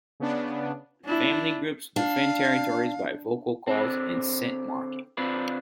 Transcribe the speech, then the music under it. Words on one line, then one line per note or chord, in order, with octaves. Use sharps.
Family groups defend territories by vocal calls and scent marking.
C#3 B3 D4
D4 E4
D4 F5
D3 C4
D3 C4 D4 F4 B4